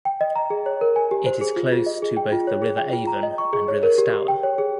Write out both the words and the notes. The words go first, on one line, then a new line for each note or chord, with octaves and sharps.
It is close to both the River Avon and River Stour.
G5
D#5
A#5
G#4
C#5
A#4
G#5
G4
C5
G#4
F4
F4
D#5
G#4
G5
F4
C#5
G#4
G5
F4
A#5
D#5
C#6
G#4
C#5
A#4
G4
G4
G5
C#5
G#4